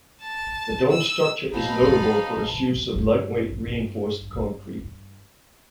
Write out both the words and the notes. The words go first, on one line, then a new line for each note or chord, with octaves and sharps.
The domed structure is notable for its use of lightweight reinforced concrete.
A5
E6
F#3 B3 C4 D#4 F5 A5 B5
G2 A#3